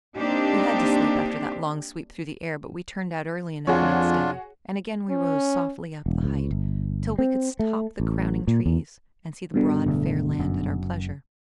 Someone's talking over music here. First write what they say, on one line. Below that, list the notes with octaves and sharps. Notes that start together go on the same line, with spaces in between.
We had to sleep after that long sweep through the air, but we turned out early enough next day, and again we rose softly up the height till we could top the crowning trees and see the broad fair land at our pleasure.
A#3 C4 D4 D#4 G4
F2 D4 F4 F#4 G#4 C#5
C#4
E1
C#2
G1
C4
A3
A1
A#2
E2
G2 B2 D3
D1 D2
F#1 F#2